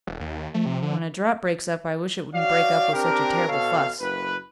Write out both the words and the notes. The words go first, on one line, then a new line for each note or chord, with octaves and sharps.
When a drought breaks up I wish it wouldn't break up with such a terrible fuss.
E1
D#2
F3 A3
C3
D3
F#4 C#5 D5 F5
C4 D4 G4 A#4
B2 A4 C#5 F5
F#1 B4